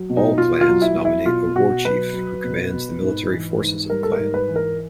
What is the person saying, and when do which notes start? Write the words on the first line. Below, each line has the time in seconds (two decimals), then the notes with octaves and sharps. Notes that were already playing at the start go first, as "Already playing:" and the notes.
All Clans nominate a Warchief, who commands the military forces of a Clan.
Already playing: F#3
0.10 B2
0.17 D#4
0.38 B2 F4
0.61 F4
0.68 F#3
0.82 E4
0.97 F#3
1.05 E4
1.26 B2 F4
1.55 B2 F#4
1.85 F#3 B4
2.14 F#3
2.44 B2
2.73 B2
3.02 G#2
3.31 E3
3.61 G#2
3.90 G3 A#4
4.03 A4
4.12 A#4
4.19 G#2
4.34 B4
4.49 E3
4.56 A#4